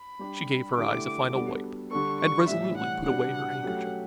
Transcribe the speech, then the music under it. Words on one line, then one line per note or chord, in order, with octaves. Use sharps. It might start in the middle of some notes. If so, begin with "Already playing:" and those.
She gave her eyes a final wipe, and resolutely put away her handkerchief.
Already playing: B5
G3 D4 G4
D3 A3 E4 G4 D6
D6
G3 B3 D4 F#4 A4
D3 G3 D4 A4 C#6
C#6
A2 E3 G3 E5
F#5
B2 G3 B3 D4 F#5
F#3 A3 C#4 G4